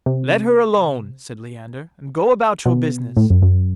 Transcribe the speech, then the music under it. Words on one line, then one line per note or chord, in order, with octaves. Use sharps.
"Let her alone," said Leander, "and go about your business."
C3
B2
A2
F#2
F#2